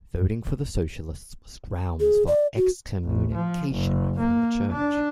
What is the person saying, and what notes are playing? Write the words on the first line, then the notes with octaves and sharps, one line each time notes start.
Voting for the Socialists was grounds for excommunication from the Church.
G#4
D5
F#4
A1
F3
F#1
A#3
D4